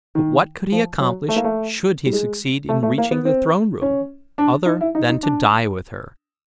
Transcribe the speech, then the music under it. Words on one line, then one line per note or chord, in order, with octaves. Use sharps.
But what could he accomplish should he succeed in reaching the throne room, other than to die with her?
D#3
F3
F#3
A3
A#3
A3
G3
G#3
A3
A3
A#3
B3
C4
C#4
D4
D#4
E4
D#4
D#4
D4